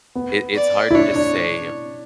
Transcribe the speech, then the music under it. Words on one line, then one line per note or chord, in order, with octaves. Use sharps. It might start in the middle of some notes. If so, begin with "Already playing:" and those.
it it's hard to say
B3
D5
E4
D4 C#5
D4